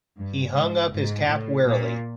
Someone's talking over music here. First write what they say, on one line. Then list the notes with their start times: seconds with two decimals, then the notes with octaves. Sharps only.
He hung up his cap wearily.
0.19 G2
0.56 G#2
0.93 G#2
1.29 A2
1.66 A#2